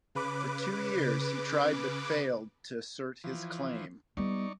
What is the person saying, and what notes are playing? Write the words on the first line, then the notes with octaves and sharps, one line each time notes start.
For two years he tried but failed to assert his claim.
C#3 B4 D6
E3 F3
G3 B3 D#4 D5 C#6